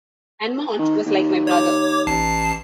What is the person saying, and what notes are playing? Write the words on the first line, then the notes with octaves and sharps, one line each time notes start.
And Monte was like my brother...
D#3
D#2
C#5 D6
A1 A5 C7